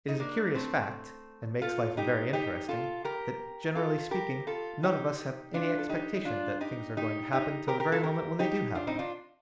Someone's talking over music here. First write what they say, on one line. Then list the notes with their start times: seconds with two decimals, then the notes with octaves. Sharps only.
It is a curious fact, and makes life very interesting, that, generally speaking, none of us have any expectation that things are going to happen till the very moment when they do happen.
0.08 D#4
0.19 A#3 D4
0.55 A3 C4
1.62 F4 A4
1.97 D#4 G4
2.33 D#4 G4
2.69 F4 A4
3.04 G4 A#4
3.75 F4 A4
4.11 G4 A#4
4.47 F4 A4
4.83 D#4 G4
5.54 D4 F4
5.79 A4
5.89 D#4 G4
6.16 D#4
6.25 D4 F4
6.61 D#4 G4
6.97 D#4 G4
7.32 D#4 G4
7.68 G4 A#4
7.80 G4 A#4
7.92 F4 A4
8.03 G4 A#4
8.39 D#4 G4
8.75 D4 F4
8.87 C4 D#4
8.99 D4 F4